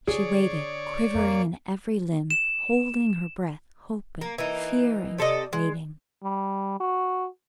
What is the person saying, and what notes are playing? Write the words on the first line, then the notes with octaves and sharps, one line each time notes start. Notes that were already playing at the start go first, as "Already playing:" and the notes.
She waited, quivering in every limb, holding her breath--hoping, fearing, waiting.
D3 G#4 C#5 D5
F2 A#3
E7
A#3
E3 A#3 D#4
C3 A4 D5 D#5
G#3
G3
F#4